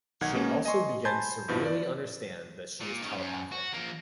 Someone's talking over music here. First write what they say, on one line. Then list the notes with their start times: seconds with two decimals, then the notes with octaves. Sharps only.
She also begins to really understand that she is telepathic.
0.21 B1 D#3 F#5 G#6
0.34 B2 G#3 A#3 C#4
0.66 D#5 G#5 C6 C#6
1.05 G#5 A5 B5 C6 G6 G#6
1.48 G1 G2 B2 F3 E4
1.65 D5
2.80 A#2
3.02 D#3 C#4
3.16 F#2
3.51 F#4
3.73 F3 A#3